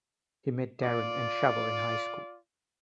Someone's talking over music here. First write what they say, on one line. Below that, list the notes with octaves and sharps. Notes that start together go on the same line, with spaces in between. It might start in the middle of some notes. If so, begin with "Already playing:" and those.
He met Daron and Shavo in high school.
F4 D5